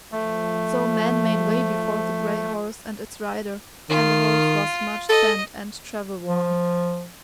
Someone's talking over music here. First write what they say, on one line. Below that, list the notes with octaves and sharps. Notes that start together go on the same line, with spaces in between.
So men made way before the grey horse, and its rider, and the horse was much spent and travel-worn.
F3 A3
D#3 F4
A4 D#5
F3